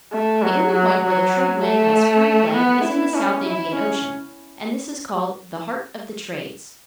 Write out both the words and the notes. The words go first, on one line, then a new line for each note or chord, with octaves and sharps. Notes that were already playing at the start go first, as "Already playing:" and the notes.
The only point where the trade wind has free play is in the South Indian Ocean, and this is called the "heart of the trades."
A3
F#3
F#3
F#3
A3
B3
E4
C#4
E4
C#4